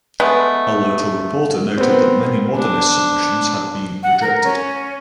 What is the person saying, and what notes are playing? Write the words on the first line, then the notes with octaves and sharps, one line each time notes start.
A local reporter noted that many "modernist" submissions had been rejected.
G#3 A3 B3
B3 C4 A#4
D4
F#5
A#4
C#4